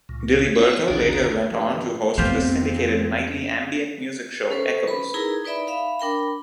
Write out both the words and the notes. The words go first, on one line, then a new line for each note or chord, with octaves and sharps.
Diliberto later went on to host the syndicated nightly ambient music show "Echoes".
C#2 A#2
B3 E4 A#4 C#5
A#1 D#2 D3 D4 G#4 A#5
G2
F2 A3 B3 C4 F4 G4 C5
C#4 A4 B4 C5
B4 B5
D#4 E4 G#4 A#4 B4 A#5
D#4 B4 D5 E5 B5
E5 F5 B5
D4 A#4 G5 B5